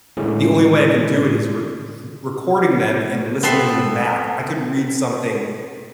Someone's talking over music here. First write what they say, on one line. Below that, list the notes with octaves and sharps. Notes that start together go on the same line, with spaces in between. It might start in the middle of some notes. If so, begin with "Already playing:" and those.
the only way I can do it is r r recording them and listening them back. I could read something
A2 D3 G#3 C#4 E4 G#4
B3 C4 A4 E5 C6